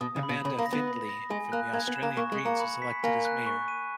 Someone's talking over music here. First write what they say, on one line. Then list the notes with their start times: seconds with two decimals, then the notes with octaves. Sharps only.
Amanda Findley from the Australian Greens was elected as Mayor.
0.01 B2 D#6
0.16 C#3
0.23 B5
0.29 B2
0.44 C#3 B5
0.59 A#3
0.66 A#6
0.73 B3
0.87 B5
1.09 A#6
1.30 G#3 G#5
1.52 A#3 F#6
1.73 A#3 G#6
1.88 B3
1.96 E7
2.03 A#3
2.17 A#3 C#6
2.32 G#3
2.38 C#7
2.45 A#3
2.60 B5
2.82 B6
3.04 A#3 G#5
3.25 F#6
3.47 C#6
3.68 D#7